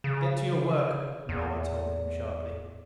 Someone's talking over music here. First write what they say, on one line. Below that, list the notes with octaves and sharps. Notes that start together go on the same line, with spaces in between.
"Get to your work," Moa told him sharply.
C#3
E2